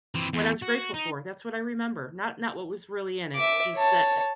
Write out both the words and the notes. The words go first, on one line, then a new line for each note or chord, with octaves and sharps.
what I was grateful for. That's what I remember. Not not what was really in it. Just that
E3 C4
E2
F#4
D#4
E5 D6
C#5 A5